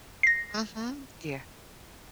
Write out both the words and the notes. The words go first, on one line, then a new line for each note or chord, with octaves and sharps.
Mhm. Yeah.
A#6 C7